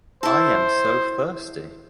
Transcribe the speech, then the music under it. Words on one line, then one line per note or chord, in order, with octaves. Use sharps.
I am so thirsty.
E4 A4 C5